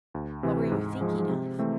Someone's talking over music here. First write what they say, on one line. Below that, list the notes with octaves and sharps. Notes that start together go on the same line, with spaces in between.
"What were you thinking of?"
D2
C3 E3
G#2
F3 G#3
C3
E3 A3 C4